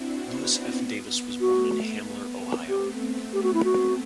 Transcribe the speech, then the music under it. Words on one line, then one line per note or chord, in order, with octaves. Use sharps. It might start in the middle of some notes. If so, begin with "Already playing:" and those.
Louis F. Davis was born in Hamler, Ohio.
Already playing: C4 D4 E4 F#4
B3
A3 F#4
B3
A3 C4
A3 C4 G4
A3
G4
F#4
E4
F#4